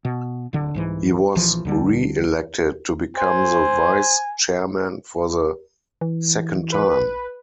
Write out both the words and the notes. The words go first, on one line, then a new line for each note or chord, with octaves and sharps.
He was re-elected to become the vice-chairman for the second time.
B2
D1 D3
C2 G#2 E3
A#1 E3 F3
D2 D3 G3
C5 G#5
E3
B4